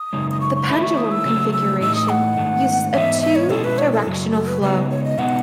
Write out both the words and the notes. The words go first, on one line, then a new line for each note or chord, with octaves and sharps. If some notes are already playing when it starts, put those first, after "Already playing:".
The pendulum configuration uses a two-directional flow.
Already playing: D#6
F#2 C#3 G#3 D#4
D#6
C#6
C#6
D#3 A3 E4 B5
C#6
D#6
E6
C#3 F#3 A3
E6
A2 E3 A3 D#4 E6
D#6
F#5
G#2 D#3 A3
G#2 E3 B3 D#4 E5
E5
C#5
B2 G#3 C#4 E4 A4
B4
C#5
A4
F#2 C#3 F#3
A4
B4
C#3 G#3 B3 D#4 B4
C#5
D#5
B2 G#3 B3 D#4 F#5